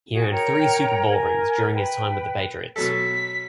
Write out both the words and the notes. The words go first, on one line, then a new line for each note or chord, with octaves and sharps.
He earned three Super Bowl rings during his time with the Patriots.
F#4 G#4
A#4 C#5 G5 A#5
A#4 G#5
B4 G5
B2 F#3 A4 B6